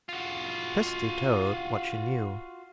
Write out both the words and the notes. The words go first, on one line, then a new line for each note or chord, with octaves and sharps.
Kirsty told what she knew.
F4 F#4